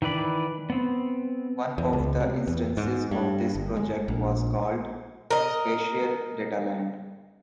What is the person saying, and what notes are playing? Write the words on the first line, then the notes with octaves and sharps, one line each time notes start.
One of the instances of this project was called Spatial Dataland.
D#3 E3 B4 D5 B5
B3 C4
E2
C#2
C3
E2
G#2
G2
G1
G#3
A#1
A#4 D#5